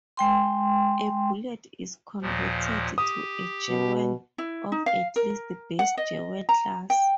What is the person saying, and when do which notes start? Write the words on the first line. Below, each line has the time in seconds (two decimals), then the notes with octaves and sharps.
A bullet is converted to a jewel of at least base jewel class.
0.17 G#3 G5 C6
2.22 D#2 A#2 F3
2.98 G4 D#6
3.69 B2
4.38 E4
4.72 D#4
4.86 F5
5.16 A#4
5.79 F#5
5.97 D#5
6.49 A#5
6.90 G5